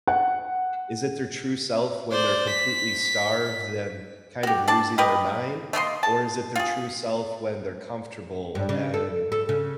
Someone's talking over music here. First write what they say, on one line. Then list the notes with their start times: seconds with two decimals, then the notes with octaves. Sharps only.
is it their true self when they're completely starved and kind of losing their mind? Or is it their true self when they're comfortable and
0.07 F#5
2.11 C5 D5
2.50 B6
4.43 F#4 G4
4.68 D4 D5 A5
4.98 G4 A#4 B4 D#5
5.73 A3 A#3 D#5 C6
6.03 A5
6.56 F4 G#4
8.55 G2
8.69 C#3
8.94 A4
9.32 A4
9.49 C#3